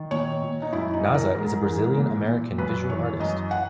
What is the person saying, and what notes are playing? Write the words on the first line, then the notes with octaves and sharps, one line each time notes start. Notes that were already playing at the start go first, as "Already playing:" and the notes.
Naza is a Brazilian American Visual Artist.
Already playing: D#3
A#2 C#5
A#2
D#4
F#2 E4
D#4
E3
A#4
G#2
E3
A#2
A#2
F#2 B4
E3 C#5
F#2 D#5
F#5